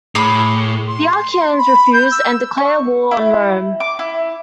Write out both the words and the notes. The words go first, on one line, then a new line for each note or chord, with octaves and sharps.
The Achaeans refused and declared war on Rome.
A2 G#4 B5 D6
C6
B5
G6
E6
C#6
E4
D6
E4